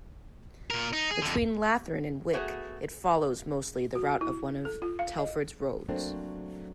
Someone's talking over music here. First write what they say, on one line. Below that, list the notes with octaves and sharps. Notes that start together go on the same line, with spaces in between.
Between Latheron and Wick it follows, mostly, the route of one of Telford's roads.
A#2 A#4
D#4
G#4
F2 D3
A3 B3 F#4 G#4
F#4
E4
A4
F4
F5
D#5
F#3 A3 A#3 C4 D4